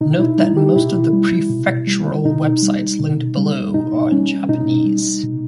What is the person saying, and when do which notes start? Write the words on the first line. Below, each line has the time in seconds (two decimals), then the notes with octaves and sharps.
Note that most of the prefectural websites linked below are in Japanese.
0.01 B2 D#4
0.19 E4
0.38 G3 D#4
0.57 G4
0.75 B2 E4
1.13 G3
1.50 B2
1.87 G3
2.25 B2 D#4
2.62 G3
3.00 B2
3.37 G3
3.74 B2 D#4
4.12 G3 C#4
4.49 B2 D#4
4.86 G3
5.23 B2